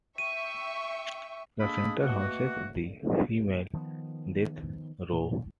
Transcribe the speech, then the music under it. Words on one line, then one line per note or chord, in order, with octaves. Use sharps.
The center houses the female death row.
E5 G5 C#6 D#7
G#3 A#3 D4 A4 B5 D#6
B2 A3 A#3 F#4
D#3 F3 A#3 B3
A#2